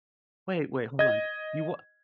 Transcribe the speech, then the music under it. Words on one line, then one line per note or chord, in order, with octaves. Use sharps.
Wait, wait, hold on, you wha
D#5 G#6